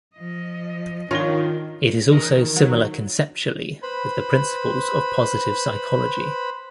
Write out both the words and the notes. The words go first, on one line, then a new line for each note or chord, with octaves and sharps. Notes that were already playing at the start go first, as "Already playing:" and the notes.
It is also similar conceptually with the principles of positive psychology.
F3 D#5
D#3 D4 F4 C#5 A#6 G7
E3 A#4 D#5
D#3
F#3
B4 C5 B5